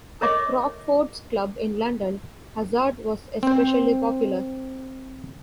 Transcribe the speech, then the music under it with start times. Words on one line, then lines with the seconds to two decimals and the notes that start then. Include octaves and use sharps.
At Crockford's Club in London, hazard was especially popular.
0.21 A#4 C#5 D#5 E5 C#6 D6
3.43 C4 C5